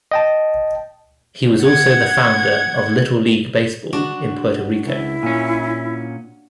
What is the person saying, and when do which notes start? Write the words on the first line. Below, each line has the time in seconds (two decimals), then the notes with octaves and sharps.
He was also the founder of little league baseball in Puerto Rico.
0.12 D#5 G5 A5
1.62 F#5 G#6
3.93 D4 F#4
4.86 C#2 E4
5.23 A#2 C#4